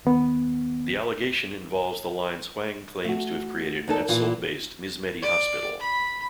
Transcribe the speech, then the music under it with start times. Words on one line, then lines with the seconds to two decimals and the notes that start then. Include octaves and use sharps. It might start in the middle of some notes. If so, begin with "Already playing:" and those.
The allegation involves the lines Hwang claims to have created at Seoul-based MizMedi Hospital.
0.05 D#2 D#3 B3
3.05 A3 F#4
3.87 E2 D#4 A4
4.08 A#2 E3 F4
5.22 D5
5.79 B5